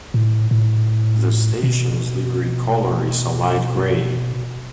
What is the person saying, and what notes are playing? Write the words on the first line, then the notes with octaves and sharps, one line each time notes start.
The station's livery colour is a light grey.
A2
A2
B2